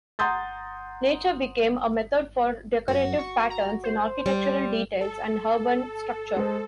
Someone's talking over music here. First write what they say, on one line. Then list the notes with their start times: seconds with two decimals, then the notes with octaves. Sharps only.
Nature became a method for decorative patterns in architectural details and urban structure.
0.19 F#5 A#5 C6 D#6 G6 A6
2.88 F#2 F#4
3.19 C#6
3.50 A#5
3.84 C5
4.26 G3
5.01 A4
6.36 G#3 C5